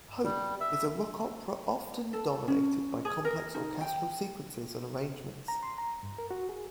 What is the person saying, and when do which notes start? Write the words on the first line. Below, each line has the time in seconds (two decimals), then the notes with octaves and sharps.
"Hope" is a rock opera often dominated by complex orchestral sequences and arrangements.
0.24 G3
0.60 E5
2.13 A4
2.48 C#4
3.05 G#4
3.25 A#4
3.54 D#4
3.81 G5
5.48 A#5
5.63 C6
5.78 A#5
6.03 G2
6.18 A#4
6.31 F#4
6.49 G#4